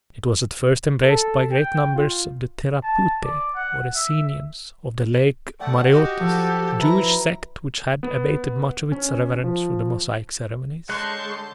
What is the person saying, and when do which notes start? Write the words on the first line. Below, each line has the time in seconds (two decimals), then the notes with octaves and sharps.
It was at first embraced by great numbers of the Theraputae, or Essenians, of the Lake Mareotis, a Jewish sect which had abated much of its reverence for the Mosaic ceremonies.
1.03 A4
1.52 G5
1.95 F4
2.83 A5
3.23 D5
3.55 F#5
3.95 E5
5.60 A3 D5 F#5 G5
5.91 F#4 G4 D#5
6.20 F3 A4 E6
6.79 E4 F#4 B4 A#5
8.03 B3
8.92 C#4
9.44 F3
10.89 D3 G#3 C#5 A5 C6 C#6 F#6 G6